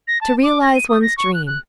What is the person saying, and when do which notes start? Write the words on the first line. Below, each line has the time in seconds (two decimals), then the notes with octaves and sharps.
To realize one's dream.
0.07 A#6
0.21 A5
0.43 D6
0.62 A#6
0.75 D#7
0.89 D#6
1.02 A#6
1.18 C#6
1.34 F#6
1.47 F#6